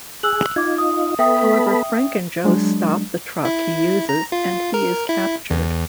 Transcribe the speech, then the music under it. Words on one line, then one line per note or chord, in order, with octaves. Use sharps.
However, Frank and Joe stop the truck he uses and he is captured.
G#4 E6 F#6 F#7
D#4 F4 D6 G#6
D#6
B3 A4 E5 G5 B5 D#6
F#3 G#3 D4
E4
A#5
F4
A#4
E4
E2